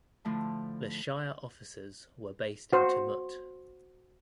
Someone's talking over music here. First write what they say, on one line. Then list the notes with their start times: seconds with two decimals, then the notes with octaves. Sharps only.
The shire offices were based in Tumut.
0.25 A2 D3 F3 A3
2.73 F#4 C5